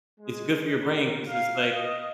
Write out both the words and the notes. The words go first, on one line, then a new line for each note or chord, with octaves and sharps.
It's good for your brain 'cause it's like
G#3
A#4
F5
D#5